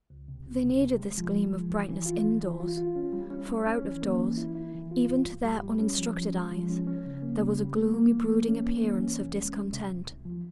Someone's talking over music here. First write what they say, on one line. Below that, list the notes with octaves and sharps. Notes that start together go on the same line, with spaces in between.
They needed this gleam of brightness in-doors, for out-of-doors, even to their uninstructed eyes, there was a gloomy brooding appearance of discontent.
C#2
C3
C#2
C3
C3
G#3
F3
G#3
F3
E3
E3
F4
E3
E3
F4
F4
C#4
G3
C#4
C#4
C#4
E3
A#3
E3
E4
E4
E3
F4
G2
G2
G3
G3
C#4
F3
F3
G#3
F3
C#4
C#4
C#3
A#3
C#3
G3
A#3
A#3
E3
A#3
C#4
A#3
E3
C#4
C2
G#3
C2
C3
C2
C2
F3